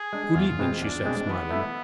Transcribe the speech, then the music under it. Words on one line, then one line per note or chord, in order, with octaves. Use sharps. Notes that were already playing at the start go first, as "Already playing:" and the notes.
"Good-evening," she said, smiling.
Already playing: G#4
G#3 D4
E2 F4
B2 G#3 C4
E2 D4
B2 G#3 C4
E3 B3
A3 E4